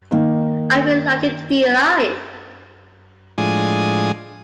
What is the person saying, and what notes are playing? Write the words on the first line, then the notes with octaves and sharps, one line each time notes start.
I feel lucky to be alive.
D#3 A#3 D#4
A2 F3 G#3 D4 G#5 D#6